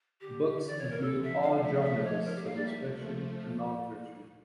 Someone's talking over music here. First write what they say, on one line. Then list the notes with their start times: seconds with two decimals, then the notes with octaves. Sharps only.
Books include all genres such as fiction and non-fiction.
0.20 D3 G4
0.61 C#3 E3
0.67 D5
0.78 C#5
0.90 A#4
1.02 D3 F3 A4
1.23 E5
1.43 F3 A3 F5
1.63 E5
1.84 E5
2.05 C#5
2.25 G3 A#3 A#4
2.36 G4
2.46 F5
2.56 D5
2.66 F3 A3 E5